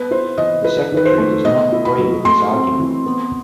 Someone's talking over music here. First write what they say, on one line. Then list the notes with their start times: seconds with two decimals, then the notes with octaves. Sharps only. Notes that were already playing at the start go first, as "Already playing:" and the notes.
The Secretary does not agree with this argument.
Already playing: B3 B4
0.11 E4 C5
0.38 E3 D#5
0.64 E4 B4
0.92 D#3
0.97 B4
1.05 C5
1.18 A3
1.45 B3 D#5
1.72 E4
1.85 B5
1.99 F#3
2.25 A3 C6
2.52 C4
2.80 E3
3.06 B3